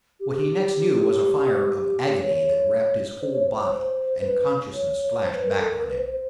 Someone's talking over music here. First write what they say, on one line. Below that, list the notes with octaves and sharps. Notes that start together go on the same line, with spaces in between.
What he next knew was a fire of agony that wrapped his whole body and consciousness flashed back on him.
G4
G#4
G4
C#5
C5
C#5
C5
C#5
C5
B4
C#5
C#5
C5
B4
A#4
A4
A#4
B4
C5
C5